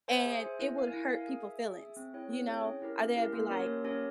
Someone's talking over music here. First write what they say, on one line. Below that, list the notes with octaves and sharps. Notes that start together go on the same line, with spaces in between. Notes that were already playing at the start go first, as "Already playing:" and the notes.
and it would hurt people feelings, you know, or they’d be like,
C5 E5 G#5
G#4
C5 E5 G#5
E4
A#4 F5 G#5
E4
A#4 F5 G#5
G#4
E5 G#5
G#4
E5 G#5
C4
E4 G#4 C#5 G5
C4
E4 G#4 C#5 G5
C#4
E4 G4 A#4
C#4
E4 G4 A#4
A#3
C#4 G4 A#4 C#5
A#3
C#4 G4 A#4 C#5